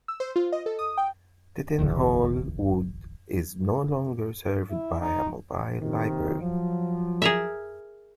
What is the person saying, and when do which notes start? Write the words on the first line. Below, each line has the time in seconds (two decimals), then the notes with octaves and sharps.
Tettenhall Wood is no longer served by a mobile library.
0.08 E6
0.20 C5
0.36 F4
0.52 D#5
0.66 A4
0.79 D#6
0.98 G5
1.79 D1 G1 E2 B2
4.70 E4
5.01 D#4
5.79 D#2 C3 D#3
6.40 F3 F#3
7.22 G#4 A#4 E5